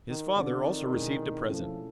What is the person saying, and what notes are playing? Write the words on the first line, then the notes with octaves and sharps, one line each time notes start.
His father also received a present.
D#3
D3 C4 F4 A4 D5
D#3
B2 G#3 C#4 E4 G#4
F3 A3 C#4 E4 A4